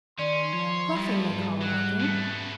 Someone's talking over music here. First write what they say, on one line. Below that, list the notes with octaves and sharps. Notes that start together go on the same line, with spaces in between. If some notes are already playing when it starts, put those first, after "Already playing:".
Fluffing they call it, I think.
D#3 C#4 D5 C6
F3 C#5
F2 G3
G#2
F#3 F#5
B2 A3